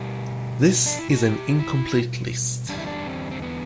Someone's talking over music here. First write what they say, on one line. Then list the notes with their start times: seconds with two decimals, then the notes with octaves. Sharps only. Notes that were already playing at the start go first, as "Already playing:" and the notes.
This is an incomplete list.
Already playing: B2 G3 G4
0.86 D4
0.99 E4
1.11 F#4
1.23 G4
1.59 E4
2.69 E2 D3 G3 D4
2.78 E4
2.87 D4
3.06 C4
3.31 C4
3.42 B3